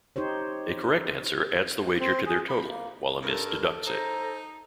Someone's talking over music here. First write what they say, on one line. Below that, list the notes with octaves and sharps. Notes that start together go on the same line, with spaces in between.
A correct answer adds the wager to their total, while a miss deducts it.
D#4 G4 C5 C#5
C4
G#4
B5
A#3
G2 A4 A#4
A4
D#4 C5 A#5